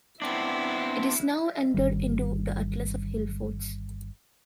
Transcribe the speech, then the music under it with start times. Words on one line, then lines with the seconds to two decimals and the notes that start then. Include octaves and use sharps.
It is now entered into the Atlas of Hillforts.
0.22 B3 C4 D4 E4
1.74 G1 D#3 G3